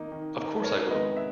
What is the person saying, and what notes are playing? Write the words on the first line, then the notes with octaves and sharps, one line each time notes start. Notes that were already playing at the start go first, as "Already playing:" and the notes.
Of course I will!
Already playing: D#3 A#3 D#4
D#3
A#3 D#4
B4
G#2 A#4 C#5
D#3 G#3 B3 D#4 B4 D#5
E5